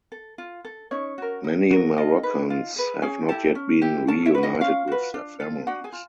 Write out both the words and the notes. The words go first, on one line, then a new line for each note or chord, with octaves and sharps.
Many Moroccans have not yet been reunited with their families.
A4
F4
A4
C#4 D#4 C#5
F#4 A#4
D#4
F#4 A#4
D#4 F4 D#5
G#4 B4
F4
G#4 B4
C#4 G#4 G#5
E4 G4 A4 A5
C#4
E4 G4
C#4 A4 A5
E4 E5
F#4 B4
D#4 D#5
C#4 F4 F5
F#4 B4
D4
F4 A4
D4 F#4 F#5
G#4 G#5
F4